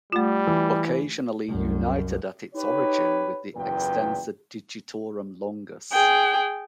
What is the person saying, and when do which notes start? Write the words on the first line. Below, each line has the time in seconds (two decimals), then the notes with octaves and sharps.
Occasionally united at its origin with the Extensor digitorum longus.
0.12 G3 A3 F4
0.47 E3
1.48 C2 F#2
2.54 D#4 G4 B4 C#5
3.54 F#1 E2 A#2 B4 G5
5.92 G#4 G5